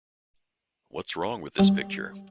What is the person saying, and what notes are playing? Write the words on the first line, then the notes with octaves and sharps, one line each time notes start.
What's Wrong with This Picture?
G3